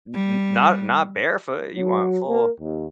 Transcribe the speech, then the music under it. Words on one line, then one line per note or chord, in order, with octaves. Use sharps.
N n not not barefoot, you want full
G3
F#3
A#3
D#2